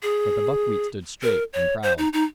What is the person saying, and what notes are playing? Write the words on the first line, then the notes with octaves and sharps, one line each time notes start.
But the buckwheat stood straight and proud.
G#4
A#4
C#5
C5
D#4
D#4